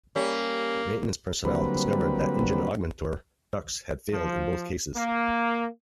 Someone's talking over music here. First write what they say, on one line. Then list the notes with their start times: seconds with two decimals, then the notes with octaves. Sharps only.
Maintenance personnel discovered that engine augmentor ducts had failed in both cases.
0.16 G3 A#3 C#4
1.45 D3 F#3 G3 A#3 C4 B4
4.12 F3
4.96 A#3